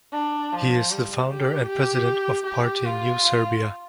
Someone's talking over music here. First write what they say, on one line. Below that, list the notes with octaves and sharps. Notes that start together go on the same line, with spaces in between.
He is the founder and president of party New Serbia.
D4
F3
G3
G4
G4
G4
F4